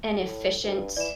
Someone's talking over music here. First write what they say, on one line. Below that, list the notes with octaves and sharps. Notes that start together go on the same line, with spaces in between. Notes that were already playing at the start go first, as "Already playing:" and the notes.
an efficient,
A2
D2
G2
E3 D5 E7